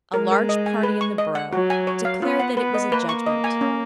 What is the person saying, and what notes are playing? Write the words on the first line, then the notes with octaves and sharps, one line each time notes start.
A large party in the borough declared that it was a judgment.
G#3 A#4
A#4
D#5
G#5
B4
C#6
D#5
F#5
F#3 F#4
G#5
C#5
F5
B3 F4
F#5
B3 B4
D#5
A#3 B4
C#6
D#5
G#5
C#4